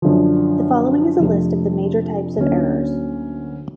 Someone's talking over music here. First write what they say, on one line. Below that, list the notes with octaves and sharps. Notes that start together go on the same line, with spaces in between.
The following is a list of the major types of errors.
F#2 D3 F3
F2 C3 F3 A3 D4
D2 D3 F#3 A#3 C#4